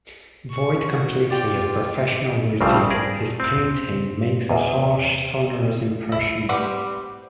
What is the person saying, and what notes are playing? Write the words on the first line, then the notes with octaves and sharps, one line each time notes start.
Void completely of professional routine, his painting makes a harsh, sonorous impression.
C#6
F#4
F4 G4 D5
A#1 G2 C#3 G3 C4
G#4 A#4 D5
C4
E2
E4
G3 C4 G4 B4 F#5